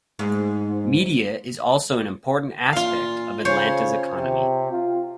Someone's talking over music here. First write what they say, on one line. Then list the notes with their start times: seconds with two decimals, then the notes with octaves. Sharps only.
Media is also an important aspect of Atlanta's economy.
0.19 G#2
2.73 A#2 F4 F5
3.45 C#3 C5 C#5
4.17 C3
4.71 F4